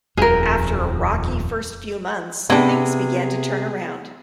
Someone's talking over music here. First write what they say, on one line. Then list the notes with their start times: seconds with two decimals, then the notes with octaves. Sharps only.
After a rocky first few months, things began to turn around.
0.17 D#1 F2 G#4 A#4
2.50 C3 B3 D4 E4 G#4